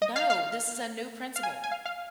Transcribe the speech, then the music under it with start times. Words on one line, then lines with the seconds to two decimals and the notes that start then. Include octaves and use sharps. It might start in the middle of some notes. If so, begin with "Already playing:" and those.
No, this is a new principal.
0.02 D#5
0.16 F5
0.30 F5
1.36 F5
1.43 G#5
1.64 G#5
1.72 F5
1.85 F5